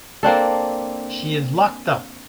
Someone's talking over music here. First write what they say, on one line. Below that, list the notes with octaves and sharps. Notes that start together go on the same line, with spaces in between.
She is locked up.
A#3 C4 D4 A4